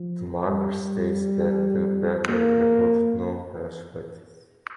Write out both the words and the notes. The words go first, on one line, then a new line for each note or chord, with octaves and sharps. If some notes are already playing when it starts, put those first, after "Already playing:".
The marker states that the battery reported no casualties.
Already playing: F3
G3
A#3